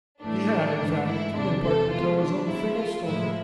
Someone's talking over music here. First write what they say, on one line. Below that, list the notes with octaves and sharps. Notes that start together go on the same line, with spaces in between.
He had, in fact, come in part to tell his own fatal story.
A2 E3 A3 D4
G#2 E3 A3
E4
E2 C3 E3 D4
A4
B2 G#3 F4
D4
B2 G#3 E4
F4
A2 F3 G#3 E4